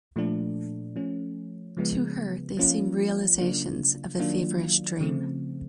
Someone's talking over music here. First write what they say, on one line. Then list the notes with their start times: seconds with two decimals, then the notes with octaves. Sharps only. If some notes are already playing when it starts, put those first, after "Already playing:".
To her they seem realizations of a feverish dream.
0.16 A#2 F3 A3 D4
0.96 F3 A3 C#4
1.77 C#3 F3 G#3 B3
2.57 F3 A#3 C#4 F4
3.39 C#3 F#3 A#3 D4 F4
4.19 D#3 F#3 A#3 D4 F4
5.00 C#3 F3 A3 C4